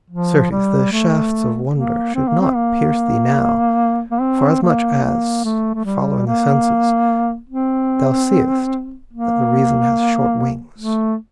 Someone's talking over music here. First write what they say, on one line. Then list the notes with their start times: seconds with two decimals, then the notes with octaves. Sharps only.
Certes, the shafts of wonder should not pierce thee Now, forasmuch as, following the senses, Thou seest that the reason has short wings.
0.10 F3
0.52 G3
0.92 A3
1.74 A#3
2.15 C4
2.28 A#3
2.41 C4
2.56 A#3
4.11 A#3
4.21 C4
4.62 A#3
5.03 A#3
5.44 A3
5.74 A3
5.85 G3
6.26 A#3
7.49 C4
9.14 A#3
10.78 A3